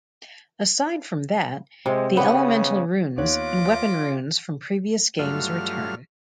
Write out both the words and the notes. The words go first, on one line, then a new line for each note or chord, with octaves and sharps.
Aside from that, the elemental runes and weapon runes from previous games return.
C3 G#3
C#3 B3 G4
D#2 B3 F4 C#5 D#5 B5 D6 F#6
G2 F#3 A3 F4 F6